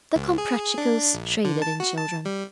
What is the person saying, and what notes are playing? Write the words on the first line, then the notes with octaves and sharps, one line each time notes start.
The Comprachicos traded in children.
C#2
G#4
D4
A#1
D3
A5
F#4
A5
G3